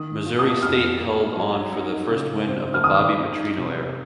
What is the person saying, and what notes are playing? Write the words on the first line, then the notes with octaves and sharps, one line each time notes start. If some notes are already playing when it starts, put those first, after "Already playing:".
Missouri State held on for the first win of the Bobby Petrino era.
Already playing: D#3 D#6
F4
D#6
F2 F6
A#3
F#3
D#4
C#3
C4
F6
D#3 D#6
D#4
C3